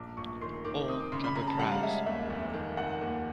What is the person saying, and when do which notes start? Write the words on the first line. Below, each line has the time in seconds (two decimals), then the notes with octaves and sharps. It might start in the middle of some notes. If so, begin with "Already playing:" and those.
Or drop a prize.
Already playing: A#1 D6
0.17 A#1 C#6
0.41 D#3 C6
0.65 D#3 D6
0.88 C4 D#6
1.00 D6
1.12 C#3 C6
1.24 B5
1.35 C#3 A#5
1.47 A5
1.59 G3 F#5
1.72 F5
1.83 G#3 E5
2.06 D#2 E5
2.30 F1
2.53 D#3
2.77 F1 F#5
3.01 D#2